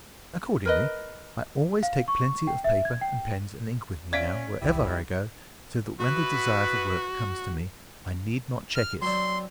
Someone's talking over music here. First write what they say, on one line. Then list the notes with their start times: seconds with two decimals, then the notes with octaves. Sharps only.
Accordingly, I always take plenty of paper and pens and ink with me now, wherever I go, so that when the desire for work comes to me I need not check it.
0.65 A#4 B4 D#5
1.83 F5
2.08 C#6
2.47 G5
2.64 E5
2.85 G#6
3.01 G5
4.13 C#4 D5 E5 F5 G#6 B6 D7
4.62 E1 C2 G3 E4
6.00 B3 E4 F#4 B4
8.76 F6
9.02 F#3 C4 D4 C6